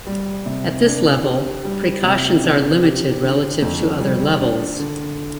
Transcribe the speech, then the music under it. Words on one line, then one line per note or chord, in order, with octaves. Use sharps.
At this level, precautions are limited relative to other levels.
G3
C3
D4
G4
G3
C3
D4
G4
D3
F2
G3
D4
D3